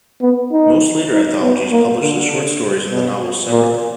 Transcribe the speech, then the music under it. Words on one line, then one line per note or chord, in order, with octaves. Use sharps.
Most later anthologies published the short stories and the novels separately.
B3
D#4
D#4
B3
A#3
D3
B2
A#2